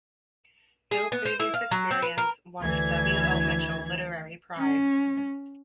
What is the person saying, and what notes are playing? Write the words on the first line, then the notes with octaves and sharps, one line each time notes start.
"No Previous Experience" won the W. O. Mitchell Literary Prize.
G#4
B3
C5
E4
F5
F#3
C4
B4
A#4
D2 E3 G#6
C#4